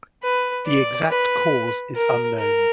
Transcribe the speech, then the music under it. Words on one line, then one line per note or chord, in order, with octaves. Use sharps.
The exact cause is unknown.
B4
D5
B4
A#4
A#4